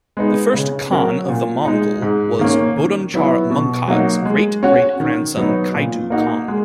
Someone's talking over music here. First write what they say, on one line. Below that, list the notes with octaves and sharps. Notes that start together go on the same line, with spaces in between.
The first Khan of the Mongol was Bodonchar Munkhag's great-great-grandson Khaidu Khan.
G#3 B3 D#4
C#3
F#3 C#4 F#4 A#4
A#2
G#3 D#4
G#2
D#3 A#3 C#4
D#3
F#3 B3 E4
B2
F#3 A#3 D#4 F#4
G#3
C#4 F#4 C#5
D#3
F#3 B3 D#4
A#2
A#3 D#4 F#4
G#3